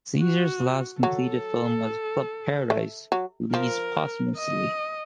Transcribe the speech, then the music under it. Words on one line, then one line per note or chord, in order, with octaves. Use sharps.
Caesar's last completed film was "Club Paradise" released posthumously.
F#4
F#3 A4
A3
F#3
F3 A#4
D#5